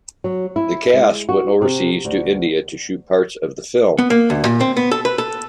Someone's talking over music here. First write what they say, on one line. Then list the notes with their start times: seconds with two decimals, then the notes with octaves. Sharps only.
The cast went overseas to India to shoot parts of the film.
0.24 F#3
0.56 E4
0.94 G#3
1.29 F#4
1.62 C3
2.05 D2
3.99 B3
4.10 A#3
4.30 D2
4.45 A#2
4.61 C4
4.77 B3
4.91 A4
5.05 B4
5.18 A4